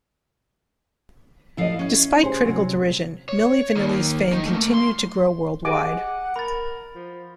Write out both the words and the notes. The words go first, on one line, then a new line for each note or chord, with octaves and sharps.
Despite critical derision, Milli Vanilli's fame continued to grow worldwide.
D2 F3 E4 D#5 F5
C#4
G#4 C5
C3 F#3
C#5
D#3 A#3
D#3 D#4
A3 A#3
C6
G#4 D#5 F#5 G#5 D6
A#4 B5 A6
F3